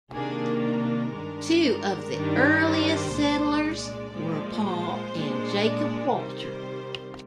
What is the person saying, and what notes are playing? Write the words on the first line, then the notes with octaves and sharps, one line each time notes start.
Two of the earliest settlers were Paul and Jacob Walter.
C3 D#3 A#3 D4 G#4
A#4
G2 D#3 G#3 D4
A#4
G2 D#3 G3 D4
C5
C2 A#2 G#3 D4
D5
A#2 F3 G#3
C5
A#2 G#3 D4
D5
C3 D#3 G3 C5